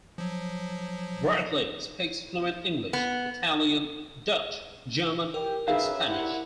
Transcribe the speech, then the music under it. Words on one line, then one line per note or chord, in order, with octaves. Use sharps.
Bradley speaks fluent English, Italian, Dutch, German and Spanish.
F3 F#3
B3
G4 A#4
F#2 G#4 B4 E5 F5
C2 C3 G3 E4 F#5